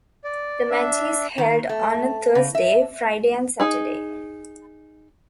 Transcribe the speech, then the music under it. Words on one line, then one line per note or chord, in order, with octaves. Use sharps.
The match is held on a Thursday, Friday and Saturday.
D5
D4 E5
D#3
A3
C#3
E5
D#4 G#4